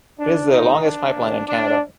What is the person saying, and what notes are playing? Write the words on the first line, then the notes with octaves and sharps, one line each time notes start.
It is the longest pipeline in Canada.
D4
C3 D#3 A3 D#4
D4
C3 D#3 A#3
D4